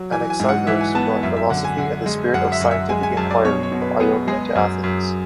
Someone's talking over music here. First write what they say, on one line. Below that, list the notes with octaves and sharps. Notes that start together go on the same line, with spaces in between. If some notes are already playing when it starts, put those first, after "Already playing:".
Anaxagoras brought philosophy and the spirit of scientific inquiry from Ionia to Athens.
Already playing: F#3
E3 G#5
G#5
G#2
F#5
E3 E5
G#5
B3 A5
F#2 E5
E5
D3 F#5
G#5
D3 F#5
G#3
F#2 F#5
E5
F#2
E5
G#3 G#5
G#5
F#2 A5
D5
B2 C#5
C#5
B2
B4
B3 G#4
G#3 G#4
F#2
F#2